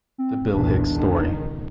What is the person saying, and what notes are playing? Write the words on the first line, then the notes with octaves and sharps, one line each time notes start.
The Bill Hicks Story.
C4
B1 E2 A#2 D4
C#2 D#3